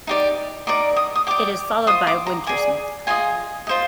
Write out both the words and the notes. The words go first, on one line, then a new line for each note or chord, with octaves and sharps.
It is followed by "Wintersmith".
D#4 G4 D5
D#4 A#4 D5 D6
D#6
D#6
G4 D5 D6
F4 C5 D#5 D#6
D6
A#5
G#4 D5 G#5
F4 G#4 D#5 G#5
F4 C5 D#5